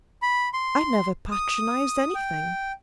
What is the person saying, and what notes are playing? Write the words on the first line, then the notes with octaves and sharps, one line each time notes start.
I never patronised anything.
B5
C6
D#6
G5